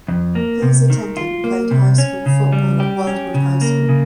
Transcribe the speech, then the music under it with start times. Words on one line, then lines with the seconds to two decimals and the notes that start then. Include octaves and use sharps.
Hills attended and played high school football at Wildwood High School.
0.08 F2
0.35 A#3
0.62 C3
0.90 D#3
1.17 F4
1.44 A#3
1.71 C3
1.98 C#4
2.26 C#3
2.53 G3
2.80 G4
3.07 C#4
3.34 C#3
3.61 A#3
3.89 C#3